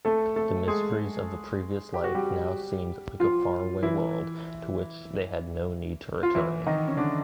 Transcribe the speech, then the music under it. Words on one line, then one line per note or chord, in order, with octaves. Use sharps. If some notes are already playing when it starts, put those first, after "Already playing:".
The miseries of the previous life now seemed like a faraway world to which they had no need to return.
A3 A4
A3 A4
G#3 G#4
G4
F#4
G3 G4
F3 F4
E3 E4
F4
E3 E4
D#3 D#4
C#4
D3 D4